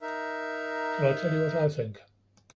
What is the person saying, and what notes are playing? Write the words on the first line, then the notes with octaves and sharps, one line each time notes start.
Shall I tell you what I think?
D#4 A#4 E5